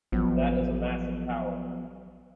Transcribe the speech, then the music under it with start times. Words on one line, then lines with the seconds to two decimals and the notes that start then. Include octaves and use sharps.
That is a massive tower!.
0.12 A1 F3 F#3 B3